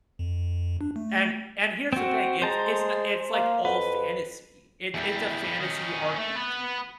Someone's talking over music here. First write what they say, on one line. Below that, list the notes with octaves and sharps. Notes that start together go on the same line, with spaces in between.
And and here's the thing, it's it's n it's, like, all fantasy, it's it's a fantasy RPG.
F2
D4
A3
C4 F#4
G#3 C5 A5 A#5
A#3
F2 B4
E2 G3
F2 G3
D#3 C#4
A3
B3 B4